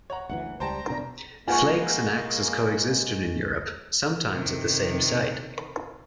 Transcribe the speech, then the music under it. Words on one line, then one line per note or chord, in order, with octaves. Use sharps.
Flakes and axes coexisted in Europe, sometimes at the same site.
C#5 F#5 A#5
F#1 D2 E3 F#5
C#2 G3 C5 G5 A5 A#5
B2 D4
G#3 A#3 F4 B4 F#5 G#5 C#6
C3 D#3